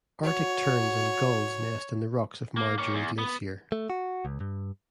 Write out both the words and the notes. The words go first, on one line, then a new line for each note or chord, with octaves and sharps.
Arctic terns and gulls nest in the rocks of Margerie Glacier.
F#4 C#5
A#3
A#3 C#5
E2
B3
A3
F#4
C#2
G2